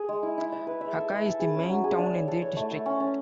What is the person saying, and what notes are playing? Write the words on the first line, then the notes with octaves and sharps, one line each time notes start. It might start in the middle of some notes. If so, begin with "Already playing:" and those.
Rakai is the main town in the district.
Already playing: G#4
G#3
E4
E4
E5
B4
E5
A4
E5
A4
G#4
C#4
F#3
G#4
D4
C#5
A4
C#5
A3
A3
C#4
C#4